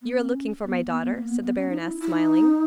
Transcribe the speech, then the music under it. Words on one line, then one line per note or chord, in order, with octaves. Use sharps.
"You are looking for my daughter?" said the baroness, smiling.
B3
C4
C#4
B3
B3
B3
A#3
B3
B3
C#4
D#4
E4
E4
D#4